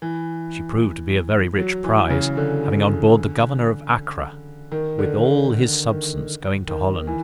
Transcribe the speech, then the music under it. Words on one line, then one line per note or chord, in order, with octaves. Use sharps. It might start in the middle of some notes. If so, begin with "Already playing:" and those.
She proved to be a very rich prize, having on board the Governor of Acra, with all his substance, going to Holland.
E3
F#3
E3
C#3
D3
D#3
D3
D3
D3
D#3
D#3
E3